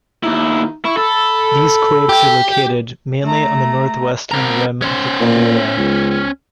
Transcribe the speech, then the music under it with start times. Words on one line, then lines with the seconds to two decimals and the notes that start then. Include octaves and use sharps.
These quakes are located mainly on the northwestern rim of the caldera.
0.24 D#2 D#4 E4
0.85 E4 C#6
0.97 A4 B5
2.09 G4
3.24 A3 A#5
4.31 C4 A#4
4.82 C#4 C5
5.20 A#2
5.78 C#2